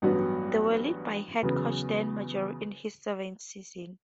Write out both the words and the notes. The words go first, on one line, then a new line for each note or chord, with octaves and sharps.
They were led by head coach Dan Majerle in his seventh season.
A1 G2 F#3 B3 F#4
E2 C#3 F#3 B3